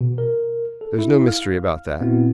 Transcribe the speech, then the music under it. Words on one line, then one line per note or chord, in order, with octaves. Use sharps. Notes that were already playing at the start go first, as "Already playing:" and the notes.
There is no mystery about that.
B2
A#4
A4
E4
F5 F6
A#2 B3 C4 E4 F#4